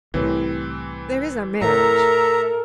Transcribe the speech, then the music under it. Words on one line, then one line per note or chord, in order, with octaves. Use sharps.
There is our marriage....'
C2 A2 E3 C4 B4
A2 A4 A#4 E5 A#5